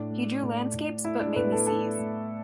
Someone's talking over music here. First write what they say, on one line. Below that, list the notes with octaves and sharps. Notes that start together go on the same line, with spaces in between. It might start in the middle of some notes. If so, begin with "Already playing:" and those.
He drew landscapes but mainly seas.
Already playing: A2 D4 D5
A3
A2
A2
A3 E4 E5
D4 D5
A2 B3 B4
A4
A3 A4
A3